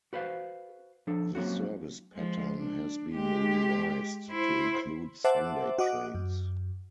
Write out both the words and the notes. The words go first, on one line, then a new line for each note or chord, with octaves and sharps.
The service pattern has been revised to include Sunday trains.
F#4 B4 C5 F5
F3 D4 A4
F#3 A#3 C4 C#4 F4 F#4
F3 G#3
D4
G#3 G4
E4 C5
C5 E5 F#5 A5 D6
F#4 D#5 F#5 D6
F#2